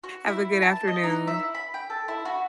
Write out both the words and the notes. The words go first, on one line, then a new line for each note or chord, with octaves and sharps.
Have a good afternoon.
F#4
E4
A5
D#5
D#4
E5
E4
B5
G5
A4
E4
F#4